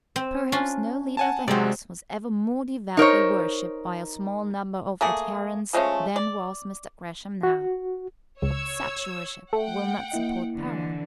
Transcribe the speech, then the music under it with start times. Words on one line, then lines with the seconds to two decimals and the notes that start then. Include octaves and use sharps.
Perhaps no leader of the House was ever more devoutly worshipped by a small number of adherents than was Mr. Gresham now; but such worship will not support power.
0.16 C4
0.52 C#4 D4 F4
1.17 F#5 G#5 A5
1.48 C3 G#3 C4 F#4 D5
2.97 D#4 A#4 C5 C#5
5.01 A3 A#3 G#4
5.73 F3 G#3 A3 C#4
6.16 D5
7.43 F#4
8.42 C#2 C#5 E6 G#6
9.53 A3 F#5 G5
10.12 A#3 E4 D#5
10.56 D3 E3